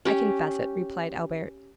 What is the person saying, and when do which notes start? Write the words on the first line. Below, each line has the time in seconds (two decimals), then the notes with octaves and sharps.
"I confess it," replied Albert.
0.05 C#4 G4